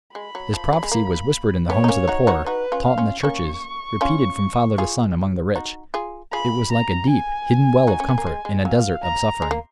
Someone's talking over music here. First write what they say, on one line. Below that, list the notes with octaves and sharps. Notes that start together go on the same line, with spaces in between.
This prophecy was whispered in the homes of the poor, taught in the churches, repeated from father to son among the rich; it was like a deep, hidden well of comfort in a desert of suffering.
G#3 B5
F#3
F3
F#3
G#3
A#3
B3 C#5
D#4
A#3 C#4
D#4 F#4
D#4 F#4
D#4 F#4 B4
C#4 F4
F5
C#4 F4
A#3 C#4 C#6
C#4 F4
F4 G#4
D#4 F#4
F4 G#4
F4 G#4 B5
A#5
G#5
D#4 F#4
C#4
B3
A#3
G#3
G#3
F#3 F5
A#5
G#3
A#3